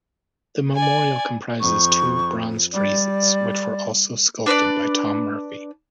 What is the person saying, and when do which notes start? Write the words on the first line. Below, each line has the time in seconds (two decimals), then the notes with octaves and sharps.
The memorial comprises two bronze friezes, which were also sculpted by Tom Murphy.
0.75 D5 G#5
1.61 F2 C#6
2.73 G3 D5
4.46 D4 B4 C5 D5